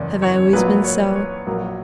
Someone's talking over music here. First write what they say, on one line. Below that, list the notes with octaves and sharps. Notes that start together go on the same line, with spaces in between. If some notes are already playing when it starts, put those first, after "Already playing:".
Have I always been so?
Already playing: F#1 E2 C#3 D5
C#5
A#1 A#2 F#3 B4
C#5
C#5
A#1 A#2 F#3 A#4